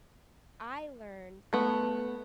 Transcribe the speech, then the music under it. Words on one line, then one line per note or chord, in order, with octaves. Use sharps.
I learned
A3 B3